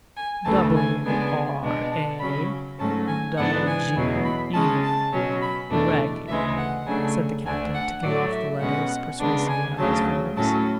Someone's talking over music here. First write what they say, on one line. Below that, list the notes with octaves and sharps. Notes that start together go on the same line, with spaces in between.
"W, R, A, double G, E--Wragge," said the captain, ticking off the letters persuasively on his fingers.
G#5
D2 C#3 E3 A3 A5
G#5
C#3 G#3 B3 D4 G#5
B2 G#3 D4
A5
C#3 F#3 C#4 B5
G#2 F#3 A3 C#4 A5
G#5
G#2 E3 B3 D4 F#5
G#5
E2 B2 F#3
B5
C#3 G#3 C#4 A5
A5
B2 F#3 C#4
B5
E2 B2 A3 D4
D2 C#3 E3 G#3 E5
F#5
C#3 F#3 A3 D4 G#5
D2 D3 A3 D4 G#5
F#5
A2 F#3 A3 D5
E5
B2 G#3 C#4 F#5
C#3 G#3 B3 D4
G#5
D2 C#3 F#3 A5
A2 F#3 C#4 A5